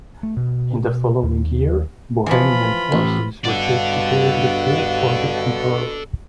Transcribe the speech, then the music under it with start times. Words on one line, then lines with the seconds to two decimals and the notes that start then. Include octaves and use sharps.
In the following year, Bohemian forces refused to take the field for the emperor.
0.23 A3
0.37 B2
1.23 D#2
2.26 E3 F3 F4 B5
2.92 A1
3.45 G2 B2 A4 D5 F5 F#5